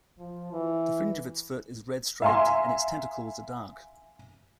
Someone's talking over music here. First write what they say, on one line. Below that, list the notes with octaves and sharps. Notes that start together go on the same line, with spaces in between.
The fringe of its foot is red-striped and its tentacles are dark.
F3
E3
E5 F5 G#5 A#5 C6